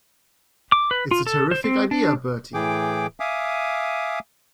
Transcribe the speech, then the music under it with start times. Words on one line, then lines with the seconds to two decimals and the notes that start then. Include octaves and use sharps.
It's a terrific idea, Bertie.
0.72 D6
0.91 B4
1.11 F4
1.27 A4
1.51 C5
1.64 C4
1.91 D4
2.54 A2 E3 G#4 G5 D6
3.20 E5 F5 G#5 D6 D#6